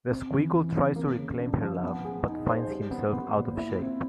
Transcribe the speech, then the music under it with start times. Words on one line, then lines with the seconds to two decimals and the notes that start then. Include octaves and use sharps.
The squiggle tries to reclaim her love, but finds himself out of shape.
0.09 C4
0.30 E3
0.53 E3
0.74 C4
0.96 A#3
1.18 C#3
1.39 D4
1.61 F3
1.83 B3
2.05 G#4
2.27 D#4
2.48 C5
2.71 G3
2.91 B3
3.13 B3
3.36 A#2
3.57 E4
3.79 C4